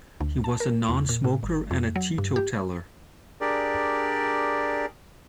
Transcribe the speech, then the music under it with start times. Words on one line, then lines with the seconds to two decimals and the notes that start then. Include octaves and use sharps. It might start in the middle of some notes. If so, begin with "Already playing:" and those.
He was a non-smoker and a teetotaller.
0.20 D2
0.44 A5
0.60 A#4
0.89 E2
1.09 A#2
1.24 A2
1.43 G1
1.71 F2
1.96 F#3
2.18 G2
2.36 G4
3.41 D4 G4 G#4 A#4 D5